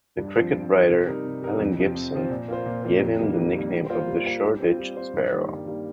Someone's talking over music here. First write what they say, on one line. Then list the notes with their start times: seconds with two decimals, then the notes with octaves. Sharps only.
The cricket writer, Alan Gibson, gave him the nickname of the "Shoreditch sparrow".
0.18 G2
0.36 F3 C4
0.53 G2
0.72 F3 C4
0.89 C3
1.06 G3 D#4 A#4
1.25 C3
1.42 G3 D#4 A#4
1.60 F2
1.77 C3 F3 C4
1.95 F2
2.13 C3 F3 C4
2.30 A#2
2.48 A#3 F4 C5
2.66 A#2
2.84 A#3 F4 C5
3.02 F2
3.20 D#3 G3 A#3
3.37 F2
3.54 D#3 G3 A#3
3.72 G3
3.90 A#3 F4 C5
4.07 G3
4.25 A#3 F4 C5
4.43 G3
4.60 C4 F4 C5
4.78 G3
4.96 C4 F4 C5
5.14 G2
5.32 D#3 G3 A#3
5.48 G2
5.66 D#3 G3 A#3